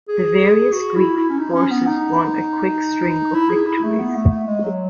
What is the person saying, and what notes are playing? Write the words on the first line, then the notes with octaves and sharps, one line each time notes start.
The various Greek forces won a quick string of victories.
G#4
F#4
E4
E4
C#4
D#4
C#4
B3
D#4
E4
G#4
E4
A3
B3
A3
A3
G#3
F#3